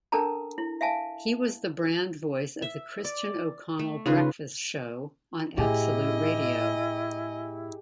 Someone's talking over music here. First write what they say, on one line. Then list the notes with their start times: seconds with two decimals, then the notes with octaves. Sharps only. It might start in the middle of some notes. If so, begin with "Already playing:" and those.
He was the brand voice of The Christian O'Connell Breakfast Show on Absolute Radio.
0.12 C#4 D4 A4 A#4 A5 A#5
0.58 E4
0.81 E5 F5 G#5 A5
2.62 E5
3.05 D5
3.79 A3
4.06 C#3 D#4 F4 B4
5.58 A2 E4 G4 G#4 D#5